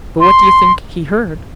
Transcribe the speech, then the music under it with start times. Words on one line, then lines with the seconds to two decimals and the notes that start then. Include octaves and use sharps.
But what do you think he heard?
0.20 C6